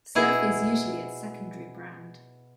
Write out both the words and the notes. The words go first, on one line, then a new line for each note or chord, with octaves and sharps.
Surf is usually its secondary brand.
B2 E4 G#4